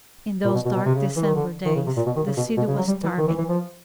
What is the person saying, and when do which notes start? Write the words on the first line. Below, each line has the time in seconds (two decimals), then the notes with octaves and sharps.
In those dark December days the city was starving.
0.44 A#2
0.54 B2
0.65 B2
0.75 B2
0.85 C3
0.95 C#3
1.16 E3
1.25 D#3
1.35 D3
1.65 D#3
1.75 C#3
1.86 C3
1.96 A#2
2.06 B2
2.16 D#3
2.26 C#3
2.37 B2
2.57 B2
2.68 C#3
2.77 F#3
2.88 G3
3.03 E3
3.18 D#3
3.28 E3
3.38 E3
3.48 F3